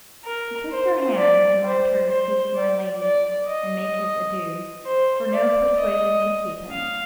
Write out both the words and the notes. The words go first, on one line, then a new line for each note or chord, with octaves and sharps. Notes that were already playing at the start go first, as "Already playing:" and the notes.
He kissed her hand and left her to seek my lady and make his adieus, for no persuasion could keep him.
A#4
C5
D5
C5
C5
D5
D5
D#5
C5
D5
D#5
F5